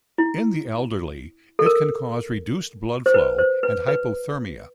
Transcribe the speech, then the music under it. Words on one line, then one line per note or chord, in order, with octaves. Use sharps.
In the elderly, it can cause reduced blood flow and hypothermia.
E4
A4
A#4
C5
B4
C5
B4
B4